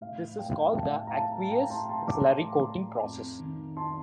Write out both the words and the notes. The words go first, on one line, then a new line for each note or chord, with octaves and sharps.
This is called the aqueous slurry-coating process.
A2 F5
G5
F5
G5
A2 F5 A5
A#5
F5 A5
A2 G5 A#5
A5 C6
A5 C6
A#5 D6
A2
F2
D#3
F2 A5 C6